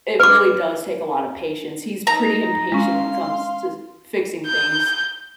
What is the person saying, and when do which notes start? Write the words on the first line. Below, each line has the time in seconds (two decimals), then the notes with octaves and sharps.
it really does take a lotta patience. He's pretty impatient when it comes to fixing things,
0.20 B4 D6
2.07 D#4 A#5
2.72 G#3 C#4 F5 C6
4.47 G6